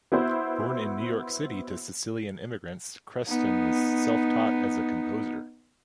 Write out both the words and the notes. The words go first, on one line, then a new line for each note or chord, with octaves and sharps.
Born in New York City to Sicilian immigrants, Creston was self-taught as a composer.
B3 E4 F#4 C5
B3 D#4